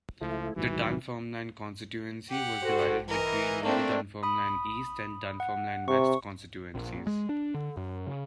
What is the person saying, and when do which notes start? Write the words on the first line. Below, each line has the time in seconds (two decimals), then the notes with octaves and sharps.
The Dunfermline constituency was divided between new Dunfermline East and Dunfermline West constituencies.
0.21 C#2 F3 A3 E4
0.56 D1 A1 G#2 D#3 E3 F#3
2.30 G4 F#5
2.63 F#4 A4 C5
3.09 E3 A#4 D#5
3.63 A3 A#3 C4 D4
4.23 B5 D#6
5.40 F#5
5.88 C3 C#6
6.75 A#1
7.07 G#3
7.29 D4
7.54 D3
7.77 F#2
8.07 C#3